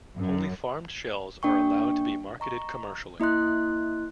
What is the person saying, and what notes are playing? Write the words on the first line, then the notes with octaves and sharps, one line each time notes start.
Only farmed shells are allowed to be marketed commercially.
F#2
A#3 D4 G5 C#6
D#5 A#5 C#6
A#3 E4 D#5 C6 F#6